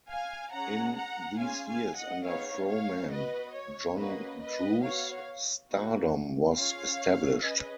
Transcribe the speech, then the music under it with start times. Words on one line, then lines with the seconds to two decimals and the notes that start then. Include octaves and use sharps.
In these years under Frohman, John Drew's stardom was established.
0.09 F5 G#5
0.53 C#4 G#4 F#5 A#5
0.96 F#5 A#5
1.39 C#4 F4 G#4 F5 G#5
1.68 F5 G#5
1.96 D#5 F#5
2.25 B3 D#4 G#4 C#5 F5
2.68 C#5 F5
3.11 B3 F#4 B4 D#5
3.54 C#5
3.97 A#3 C#4 F#4 B4 D#5
4.40 B4 D#5
4.83 B3 F#4 C#5 F5
5.70 A#3 D#4 F#4
6.55 C#4 F4 G#4 C#5 F5
7.41 C#4 G#4 B4 D#5